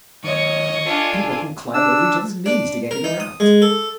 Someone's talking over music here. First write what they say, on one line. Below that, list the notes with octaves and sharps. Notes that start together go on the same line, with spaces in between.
People can climb over each other's knees to get in or out.
D#3 F#3 C#5 D#5 C#6
D4 F4 A4 G#5
D4 E6
D4
A#4
D#4
D#6
G#3
A4